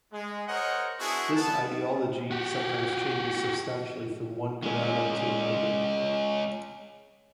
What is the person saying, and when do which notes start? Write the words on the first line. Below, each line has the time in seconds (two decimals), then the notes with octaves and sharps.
This ideology sometimes changes substantially from one gharana to another.
0.12 G#3
0.47 A#4 C5 C#5 D#5 F#5
1.00 B3 D4 E4 F#4 G#4
1.36 B3 A5
2.31 F#4 G4
4.64 G#3 C#4